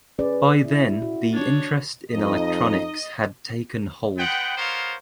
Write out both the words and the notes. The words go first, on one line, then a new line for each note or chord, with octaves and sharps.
By then the interest in electronics had taken hold.
C#4 G#4 B4 D5
E4
F#4
D4 C#5
F2 D#4 D#5
G#3 B3 B4 F#5 G5
B3 F4 A#4 C5 C#5 F5